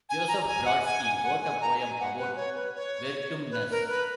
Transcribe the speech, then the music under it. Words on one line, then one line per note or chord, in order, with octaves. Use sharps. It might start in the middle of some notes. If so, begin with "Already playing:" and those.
Joseph Brodsky wrote a poem about Vertumnus.
G#5
A#5
G#5
F#5
G#5
F#5
G#5
A#5
G#5
F#5
B4
C#5
B4
C#5
B4
A#4
B4